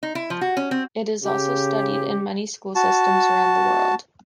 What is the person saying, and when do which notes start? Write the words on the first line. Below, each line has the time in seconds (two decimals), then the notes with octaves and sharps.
It is also studied in many school systems around the world.
0.03 D#4
0.15 E4
0.30 F3
0.41 F#4
0.57 C#4
0.71 C4
1.23 C#3 G4
2.75 F#4 A5